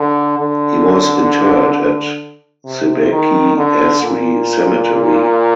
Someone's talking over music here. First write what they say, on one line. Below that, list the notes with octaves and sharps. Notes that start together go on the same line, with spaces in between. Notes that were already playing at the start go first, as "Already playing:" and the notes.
He was interred at Cebeci Asri Cemetery.
Already playing: D3
D3
C3
D#3
D3
A#2